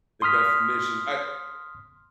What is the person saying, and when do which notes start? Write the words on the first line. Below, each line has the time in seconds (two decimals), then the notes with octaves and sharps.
the definition I
0.22 C6 D#6 F6 B6